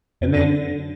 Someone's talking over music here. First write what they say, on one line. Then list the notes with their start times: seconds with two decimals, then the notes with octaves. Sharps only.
And then
0.21 F2
0.32 F#2